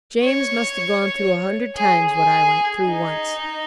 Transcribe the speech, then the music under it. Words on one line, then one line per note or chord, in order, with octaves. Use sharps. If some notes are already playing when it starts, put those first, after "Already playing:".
James must have gone through a hundred times what I went through once.
C#5
G#4
G#4
D#4